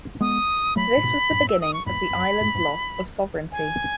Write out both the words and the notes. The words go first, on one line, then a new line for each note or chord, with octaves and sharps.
This was the beginning of the island's loss of sovereignty.
G#3 B3 D#6
F#3 A3 B5
A2
G#2 B2
F#2 A2
E6
D#6
C#6
E2 G#2 B5
E2
F#2
F#2 A2
E2 G#2
G#5